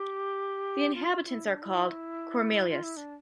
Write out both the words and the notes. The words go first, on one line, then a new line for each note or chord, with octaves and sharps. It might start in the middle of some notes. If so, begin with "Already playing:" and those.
The inhabitants are called "Cormeillais".
Already playing: G4
F4
F4
F4
E4
D4
E4
F4
E4
D4